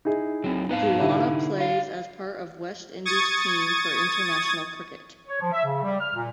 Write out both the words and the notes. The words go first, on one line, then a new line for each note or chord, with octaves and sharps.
Guyana plays as part of West Indies team for international cricket.
D#4 E4 G#4
F#3 C4
B3 D#4 B4 F5
D3 E4 G4
F#4 F5
C#6 D#6 G#6 A6
C#5
F3
E5
C#3
G3
F6
A#2